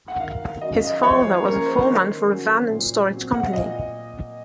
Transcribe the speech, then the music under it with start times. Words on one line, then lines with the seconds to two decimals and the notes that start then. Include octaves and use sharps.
His father was a foreman for a van and storage company.
0.08 F#5
0.20 D#3 F5
0.61 F#3 C#4 D#5
0.75 F5
0.87 D#5
1.03 F3 C#5
1.24 C5
1.45 A#3 C#4 A#4
1.65 C5
1.86 D#3
2.27 F#3 C#4
2.69 A#2
3.11 F#3 C4
3.34 F#5
3.43 F5
3.53 A#2 D#5